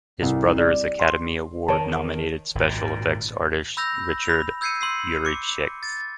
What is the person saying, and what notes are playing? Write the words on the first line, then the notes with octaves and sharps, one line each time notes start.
His brother is Academy Award-nominated special effects artist Richard Yuricich.
C2
D5
C6
D#3 C#5 A5
G#1 A#2
B5 E6 G6 A#6 F7
B5 F7
E6 G6 G#6 C7 C#7 D#7
C6 E6 C7
D6 C#7
A6